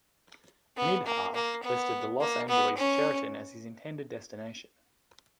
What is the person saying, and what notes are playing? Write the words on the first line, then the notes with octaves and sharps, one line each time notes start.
Mihdhar listed the Los Angeles Sheraton as his intended destination.
B3
A#3
A#3
B3
A#3
B3
C#4